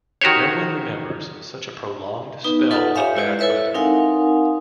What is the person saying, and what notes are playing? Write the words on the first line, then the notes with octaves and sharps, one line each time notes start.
No one remembers such a prolonged spell of bad weather.
D#3 F#4 G4 C5 C#5
B3 D#4 B4
F4 A4 B4 F#5 D#6
G4 C#5 E5 F5 G#5
G#3 E4 B4 C5
E4 A4 B4 C#5 E5
C4 D#4 A#4 F5 F#5 G#5